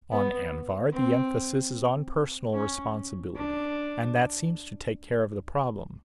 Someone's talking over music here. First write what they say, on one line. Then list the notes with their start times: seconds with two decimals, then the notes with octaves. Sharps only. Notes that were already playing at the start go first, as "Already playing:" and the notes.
On Anvhar the emphasis is on personal responsibility, and that seems to take care of the problem.
0.12 B3
0.93 C4
2.54 C#4
3.36 D4